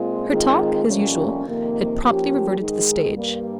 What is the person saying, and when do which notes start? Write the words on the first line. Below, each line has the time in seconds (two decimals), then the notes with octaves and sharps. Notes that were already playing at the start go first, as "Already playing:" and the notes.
Her talk, as usual, had promptly reverted to the stage.
Already playing: A#2 G#3 C4 F4
0.28 D#3 G#3 C4 F4 G#4
0.85 F2 C3 G3 A#3 C#4
1.44 F2 C3 D#3 A#3
2.01 F3 A#3 C#4 G4
2.58 G#2 D#3 G#3 D#4 G#4
3.15 G2 G3 A#3